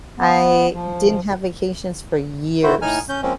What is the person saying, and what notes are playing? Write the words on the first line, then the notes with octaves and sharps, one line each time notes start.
I didn't have vacations for years,
B3
F3
D#3 E4 F#4 C5
A2 D#4 G#5 F6
C#4 G6
F3 G#3 A#3 C4 C#4